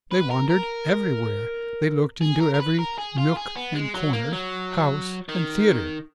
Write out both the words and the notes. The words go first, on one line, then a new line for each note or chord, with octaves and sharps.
They wandered everywhere, they looked into every nook and corner, house and theater.
B4
A#4
A#4
G#4
A#4
A#4
B4
A#4
G#4
F4
G#4
B3
G#3
F#3
A#3
F#3
D#3